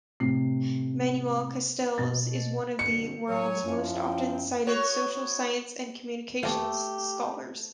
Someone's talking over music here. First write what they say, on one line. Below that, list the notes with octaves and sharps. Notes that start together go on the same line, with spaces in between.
Manuel Castells is one of the world's most often-cited social science and communications scholars.
A2 C3 C7
B2 A6
G2 B2 D3 C#7
A2 F#3 C#5 G#5
F#2 F3 C#4 E4
G5
B3 F#4 C#5
E2 A3 G4 F5